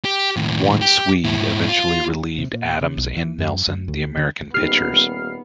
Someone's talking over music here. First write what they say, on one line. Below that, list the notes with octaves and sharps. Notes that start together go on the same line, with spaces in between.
One Swede eventually relieved Adams and Nelson, the American pitchers.
G4
D#2 A2
G4
G#2 E4
F4
C3
A#2
C#3
B1
E3
F#2
F#2
D2
D3
D#1 B3 D#4 G4 F6 C7